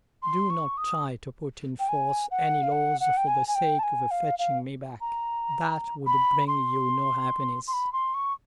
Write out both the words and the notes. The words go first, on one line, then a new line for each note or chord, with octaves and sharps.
Do not try to put in force any laws for the sake of fetching me back: that would bring you no happiness.
C6
C#6
D#6
G5
G#5
F#5
F5
F#5
F#5
G5
G#5
G#5
G5
A5
G#5
F5
F5
A#5
B5
C6
C6
B5
C6
C#6